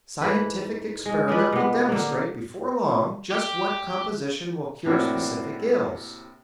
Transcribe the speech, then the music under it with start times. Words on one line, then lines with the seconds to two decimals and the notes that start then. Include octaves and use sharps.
Scientific experiment will demonstrate before long just what composition will cure specific ills.
0.21 G#2 E4 B4
1.05 G#3
1.28 G#3 D4 F4 B4
1.53 C3 B3
1.89 D3 A#3
3.32 G4
4.85 A2 C3 A#3 C4 D4 F#4